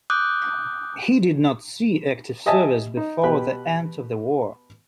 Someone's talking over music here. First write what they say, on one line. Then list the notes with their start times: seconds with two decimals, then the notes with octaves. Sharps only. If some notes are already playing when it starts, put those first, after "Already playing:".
He did not see active service before the end of the war.
0.10 D6 D#6 F#6 G6
2.46 G4 D#5 E5 G#5 A5
2.97 D#4
3.23 B2 G4 B4 B5